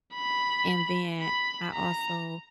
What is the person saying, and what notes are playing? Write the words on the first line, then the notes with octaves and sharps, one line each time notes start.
And then I also,
B5
B5
A#5